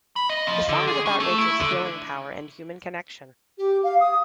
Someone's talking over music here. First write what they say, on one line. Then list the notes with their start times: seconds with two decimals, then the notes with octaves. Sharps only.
The song is about nature's healing power and human connection.
0.16 B5
0.30 D#5
0.47 F3
0.69 D3
0.87 G#4
1.06 C#4
1.20 A3
1.38 E4
1.60 D3
3.57 G4
3.83 F5
4.00 D#6